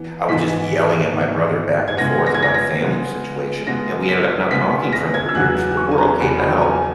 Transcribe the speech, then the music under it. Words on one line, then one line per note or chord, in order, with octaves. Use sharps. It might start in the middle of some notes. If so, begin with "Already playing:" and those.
I was just yelling at my brother back and forth about a family situation, and we ended up not talking for a number years, we're we're okay now,
Already playing: E3 B3
G#2 E3 B3 B6
G#2 E3 B3
G#6
C#3 G#3 B3 A#6
A#6
G#6
A#6
A#6
C#3 G#3 B3
C#3 G#3 B3 A#6
B6
C#3 G#3 B3 B6
A#6
G#6
E6
E2 C#3 F#3 B3 F#6
C#6
G#5
A#5
E2 C#3 F#3 B3 B5
A#5
G#5